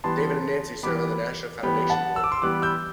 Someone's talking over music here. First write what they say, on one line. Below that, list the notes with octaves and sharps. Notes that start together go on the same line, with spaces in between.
David and Nancy serve on the Nasher Foundation Board.
E3 G3 B3 A5 C6
E3 G3 B3 B5 D6
E3 G3 B3 G5 B5
F#5 A5
E6
D6
C6 E6
E3 G3 B3 D6 F#6
E6 G6